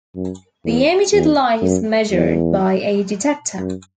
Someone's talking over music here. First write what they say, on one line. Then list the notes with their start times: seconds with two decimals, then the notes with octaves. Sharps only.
The emitted light is measured by a detector.
0.16 F#2
0.65 E2
1.13 E2
1.62 F#2
2.11 E2
3.58 F#2